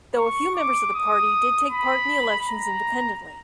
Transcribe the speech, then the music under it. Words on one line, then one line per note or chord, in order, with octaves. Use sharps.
Though a few members of the party did take part in the elections independently.
C#6
D6
D#6
B5
A#5